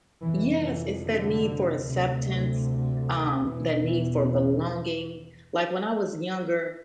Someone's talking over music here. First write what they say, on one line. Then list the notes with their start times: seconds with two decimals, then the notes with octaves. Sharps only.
Yes, it's that need for acceptance, um, that need for belonging. Like, when I was younger,
0.22 F2 C3 E3
0.62 E3
1.03 D3
1.84 D2 C3
3.46 E2 B2 E3
3.86 E3